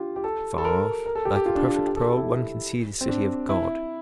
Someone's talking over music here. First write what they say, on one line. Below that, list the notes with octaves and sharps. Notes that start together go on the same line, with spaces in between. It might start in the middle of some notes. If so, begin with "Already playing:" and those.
Far off, like a perfect pearl, one can see the city of God.
Already playing: D4 F4 G4
G4
A4
A4
A#4
A#4
A4
G4
G4
F4
D4
F4
A4
G4
A4
G4
E4
C4
D4
E4